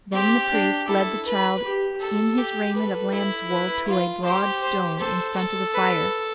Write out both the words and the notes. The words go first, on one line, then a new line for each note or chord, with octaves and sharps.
Then the priest led the child in his raiment of lamb's-wool to a broad stone in front of the fire.
C4 G4
D4
E4 A4
B4
G4
A4
G4
A4 B4
E4
B4
F4
G4 C5
C5
A4 C5
A4
B4